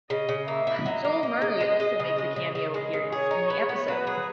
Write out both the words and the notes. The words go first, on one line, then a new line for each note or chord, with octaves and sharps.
Joel Murray also makes a cameo appearance in the episode.
C#3 D#5
C#3
A#3 E5
E4
F#3 D#5
A#3
A#3
C#3
G#3
G#3
C#3
G#3
C#3
C#3
G#3
C#3
G#4 C#5
D#4
B3
B3
F#3 B4
G#4